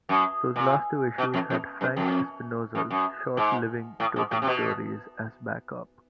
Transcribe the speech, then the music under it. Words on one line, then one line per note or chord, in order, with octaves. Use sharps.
Those last two issues had Frank Espinosa's short Living Totem stories as back up.
F#2
A#2
B2
F2
F2
F#2
F2
F#2
F#2
G#2
A2
G#2
A2
C3
B2